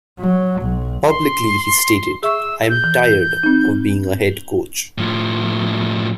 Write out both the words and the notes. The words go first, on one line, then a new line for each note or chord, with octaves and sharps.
Publicly he stated, I'm tired of being a head coach.
F#3
B1
C6
G#4 E5 C#6 E6
G6
E3
C4 D#4
A2 F3